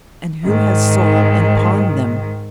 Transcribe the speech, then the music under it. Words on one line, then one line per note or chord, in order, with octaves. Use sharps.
"And who has sold and pawned them?"
G#2 D#3